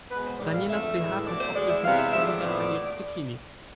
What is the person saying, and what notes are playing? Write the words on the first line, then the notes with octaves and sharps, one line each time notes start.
Danielas BH passt optisch nicht zum Unterteil ihres Bikinis.
B2 G#3 B3 B4
C5
A2 E3 G#3 D5
F5
F2 D3 A3 E5
A2 E3 G#3
B2 A3 D5
C5
E2 B2 G#3 D5
E5
C3 E3 G#3 B3 F5
E5
G#2 F3 A3 E5
D5
A2 F3 B3